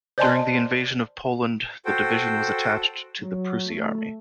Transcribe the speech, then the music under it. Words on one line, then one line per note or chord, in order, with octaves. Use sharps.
During the Invasion of Poland, the division was attached to the Prusy Army.
C5 D5 D#5 G#5 A5 C6
F#4 A4 C5 G5
F#3
A3